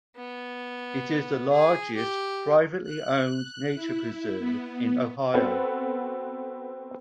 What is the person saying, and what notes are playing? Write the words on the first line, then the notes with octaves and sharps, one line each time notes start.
It is the largest privately owned nature preserve in Ohio.
B3
G#4
G4
F#6
E4
B3
B3 C4 F#4 A4 B4 F#5